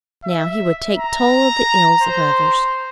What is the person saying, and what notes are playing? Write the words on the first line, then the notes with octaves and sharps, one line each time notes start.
Now he would take toll of the ills of others.
E5
A#5
C5